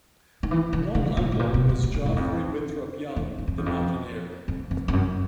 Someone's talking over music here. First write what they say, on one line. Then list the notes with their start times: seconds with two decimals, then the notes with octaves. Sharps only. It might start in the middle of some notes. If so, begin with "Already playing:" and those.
One uncle was Geoffrey Winthrop Young, the mountaineer.
0.43 D#3
0.51 E3
0.73 E3
0.95 D3
1.17 A#2
1.32 A2
1.39 A#2
1.54 B2
1.69 B2
1.83 A#2
1.94 A#2
2.06 A2
2.13 E2
2.16 F2
3.16 E2
3.38 F#2
3.47 F2
3.58 E2
3.66 F2
4.48 F2
4.71 F2
4.88 F2
4.93 F#2